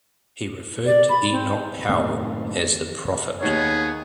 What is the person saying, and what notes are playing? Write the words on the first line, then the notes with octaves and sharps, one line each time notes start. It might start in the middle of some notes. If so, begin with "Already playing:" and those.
He referred to Enoch Powell as "The Prophet".
D5
B5
C4
F#1 A2 D#3 C4
D#2 B3 D#4 G#4 C#5